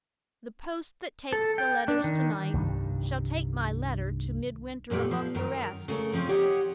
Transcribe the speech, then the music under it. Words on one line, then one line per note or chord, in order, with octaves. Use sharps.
The post that takes the letters to-night shall take my letter to Midwinter among the rest.
A4
G5
D4
D#3
C2 G2 D#3 G3
F#2 A#2 F#3 G3 A3
F3
F#2 D#3 D#4 A#4
C#3 A3 A#4
F3 C4 C#4
G4 C#5 D#5 F#5